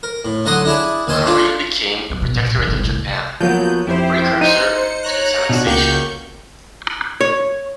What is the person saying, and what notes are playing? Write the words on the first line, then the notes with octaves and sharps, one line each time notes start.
Korea became a protectorate of Japan, a precursor to its annexation.
A#4
A2
D3 F#3 F#5 A#5 C6 D#6
D4 E4 G#4 A5
D#2 D#3 G#5 A5 C6
D4 F4 A4
E3 F#3
B2
A#1
A#2 D#3
G1 C2
C2 A3
F3 F#3 A#3 B3 G6
F2 E4 G4 C5
D#4 C5 C#7
C#5 A#5 F#6
B2 D4 F#4
C#2 A#3 F#4 G4 C#6 G6
C#5